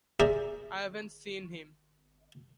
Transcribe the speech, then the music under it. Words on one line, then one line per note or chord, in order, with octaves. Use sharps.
I haven't seen him.
G#4 A#4 C5 D5 E5 A#5